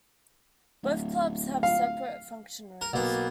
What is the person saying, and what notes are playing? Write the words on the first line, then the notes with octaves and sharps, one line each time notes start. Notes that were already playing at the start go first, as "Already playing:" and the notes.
Both clubs have separate function rooms.
D1
F5
A#4
B1 A#3 B3